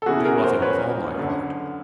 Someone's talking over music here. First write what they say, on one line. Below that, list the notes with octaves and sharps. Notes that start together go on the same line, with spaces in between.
I do love him with all my heart.
A4
E2 C#3 E3 F#4 G#4
G#4 A#4
A#4 C5
B4 C#5
F#2 D3